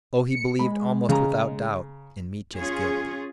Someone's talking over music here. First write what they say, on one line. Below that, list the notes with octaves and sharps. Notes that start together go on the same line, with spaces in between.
Oh, he believed almost without doubt in Mitya's guilt.
C#7
G#3 B5
C#3 A#5
C#4 F4 G#4 C#5